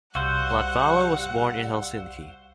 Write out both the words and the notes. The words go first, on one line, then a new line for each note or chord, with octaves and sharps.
Latvala was born in Helsinki.
C2 G3 F#4 C5 F5 F#5 E6